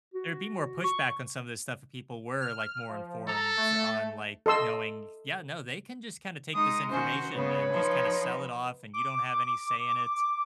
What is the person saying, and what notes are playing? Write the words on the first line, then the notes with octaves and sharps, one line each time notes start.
there'd be more pushback on some of this stuff, if people were, like, more informed on, like, knowing "Yeah, no, they can just kinda take this information and just kinda sell it off, and you don't have any say in it,"
F#4
C#6
F6
F3
A4 A#5
A3
A4 D#5 C6 E6
G#3 D#4 D#6
D#3 C#4 F#4 C5
C#3 B3 B4 C#5
F3 D#4
D6